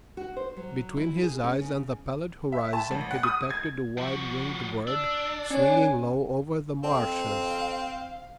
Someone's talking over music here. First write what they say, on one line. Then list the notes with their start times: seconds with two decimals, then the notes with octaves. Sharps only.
Between his eyes and the pallid horizon he detected a wide-winged bird swinging low over the marshes.
0.17 F#4
0.37 C5
0.57 F#3
0.97 E4
1.23 G#4
1.43 C#4
1.60 C#3
2.52 E5
2.73 A5
2.91 A1
3.11 F#5
3.23 D#6
3.50 G#6
3.98 F3 F#4
4.87 D4 E6
5.51 C#4 C#5 G#5
6.83 F2 C4 F5